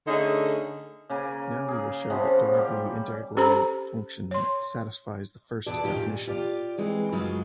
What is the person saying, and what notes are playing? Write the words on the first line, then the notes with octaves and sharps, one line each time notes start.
Now we will show that a Darboux integrable function satisfies the first definition.
D3 A3 C#4 D#4 G#4
C#3 A#3 G#5
G#4 A#4
C3 F3 B3 C#4
G3 A#3
C#4 G4 A4 C5 A#5 B5
C#5 C6
E2 B2 D4 A4 D5
F#2 D#3 C#4 D#4 F4 G4
A#2
F4 G4 D5
E3 G#3 C4
F#2 C#3 F#3 G#3 F4